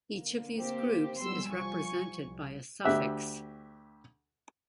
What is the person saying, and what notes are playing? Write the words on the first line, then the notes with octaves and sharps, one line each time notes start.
Each of these groups is represented by a suffix.
D3 A#3
C4 G4
F#3 G3 B3 C6 E6
C2 F3 G3 G#5 C#6
C2
D2 G4 E5 F#6